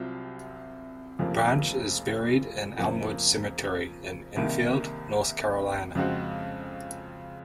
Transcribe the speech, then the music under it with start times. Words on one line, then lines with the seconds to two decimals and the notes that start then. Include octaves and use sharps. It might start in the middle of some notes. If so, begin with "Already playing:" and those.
Branch is buried in Elmwood Cemetery in Enfield, North Carolina.
Already playing: C2 C3 F#3 C4 F4
1.19 F1 F2 C#3 F3 A#3
2.78 F2 C#3 F3 A#3
4.36 C2 C3 D#3 A#3
5.95 F2 C#3 G#3 C4 F#4